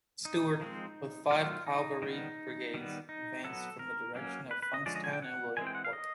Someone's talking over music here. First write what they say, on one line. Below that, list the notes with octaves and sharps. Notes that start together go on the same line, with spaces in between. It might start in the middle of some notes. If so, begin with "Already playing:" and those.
Stuart, with five cavalry brigades, advanced from the direction of Funkstown and Williamsport.
D#4
F3 G#3 C4
D#3 F#3 A3 F4
D#4
D#3 G3 B3 D#4
D#3 G3 B3
D#4
F#3 B3 A4
A#4
F#3 A#3 C#4
B4
B4
D#5
D3 F3 G#3 C#4 D5
D#5
G#5
G5
F#5
E3 G#3 C4 G#5
G5
F#5
F5
D#5